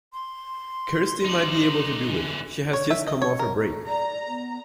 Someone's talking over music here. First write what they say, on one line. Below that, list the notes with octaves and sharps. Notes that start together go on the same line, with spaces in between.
Kirsty might be able to do it; she has just come off her break.
C6
D#4 D5
D3 E3
C#5
E5
D#5
C#5
A#4
D5 A#5
B3